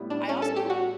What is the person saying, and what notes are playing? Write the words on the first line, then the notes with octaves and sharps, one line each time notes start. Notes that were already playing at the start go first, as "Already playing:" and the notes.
I also
Already playing: A2 G3 B3 E4
D4
C#4
A4
G4
F#4